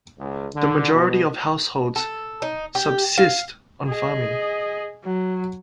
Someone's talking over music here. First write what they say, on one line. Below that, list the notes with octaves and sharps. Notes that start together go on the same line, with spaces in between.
The majority of households subsist on farming.
C#2
D3
B2
A4
D#4
G4
F5
G#4 D#5
F#3